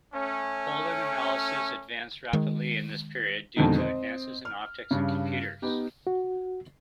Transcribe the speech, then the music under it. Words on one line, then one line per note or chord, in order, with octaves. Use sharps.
Pollen analysis advanced rapidly in this period due to advances in optics and computers.
A3 C#4
D#3 G#3
F2 B2 D3 D#3 G#3 D#4
C4 D#5
F6
G2 C#3
B3 D#4 G4
F#4